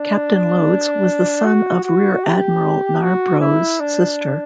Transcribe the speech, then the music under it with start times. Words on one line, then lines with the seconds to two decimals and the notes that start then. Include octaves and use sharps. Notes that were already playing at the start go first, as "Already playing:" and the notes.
Captain Loades was the son of Rear Admiral Narbrough's sister.
Already playing: D4
1.45 F#4
1.84 F#4
2.24 G4
3.03 F#4
3.41 E4
3.80 D4